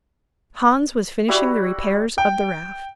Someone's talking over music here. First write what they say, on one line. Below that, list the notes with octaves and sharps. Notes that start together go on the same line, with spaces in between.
Hans was finishing the repairs of the raft.
G3 E4 F#4
G5